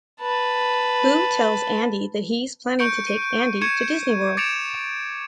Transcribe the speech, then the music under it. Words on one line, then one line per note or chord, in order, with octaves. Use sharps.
Lou tells Andy that he's planning to take Andy to Disney World.
B4 A5
C#6 G6 C#7 D7
D#7
C#6 G#6 C#7 D#7 E7
D6 A6 C#7 D7 E7 F7